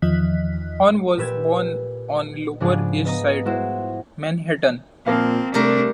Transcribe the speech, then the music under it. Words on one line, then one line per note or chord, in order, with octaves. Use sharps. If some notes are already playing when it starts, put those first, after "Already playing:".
Horn was born on Lower East Side, Manhattan.
E2 D#3 F3 D#5 F#6 B6
A#2 G4 B4 E6 G#6
G#2 C#3 F3 D4 G#4
B3 D#5 A#5 D#6
G#3 E4 F#4 C5 E5
A#2 F3 A#3 C4 F5
C3 G3 A3 D4 A#4